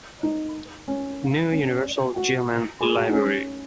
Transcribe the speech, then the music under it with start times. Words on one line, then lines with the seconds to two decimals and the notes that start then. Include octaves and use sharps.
New Universal German Library.
0.23 D#4
0.88 C#4
1.52 C#4
2.16 F#4
2.81 G#4
2.97 F#4
3.09 D#4
3.13 C#4